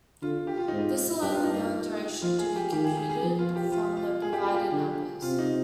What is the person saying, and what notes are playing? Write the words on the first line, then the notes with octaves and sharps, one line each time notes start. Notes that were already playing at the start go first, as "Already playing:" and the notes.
This allowed the burn duration to be computed from the provided numbers.
D3 F4
G4
F4
G#2 D#4
F4
G2 G4
F4
D#4
F4
F3 F4
G#4
G4
D#3 G4
G#4
G#4
G#4
F3
F4
G4
F4
F4
G#4
G4
F4
G4
D3
C3 F4
D#4